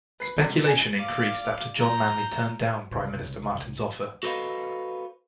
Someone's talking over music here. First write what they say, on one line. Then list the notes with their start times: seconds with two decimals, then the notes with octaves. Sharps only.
Speculation increased after John Manley turned down Prime Minister Martin's offer.
0.20 B4 C7
0.38 G#1 C3 G3
0.63 G#5 A#6 C#7 D7
0.97 D5 F5
1.80 A#5 G6
2.93 C2 C#3
4.23 F#4 A4 B4 C5 D#5 F5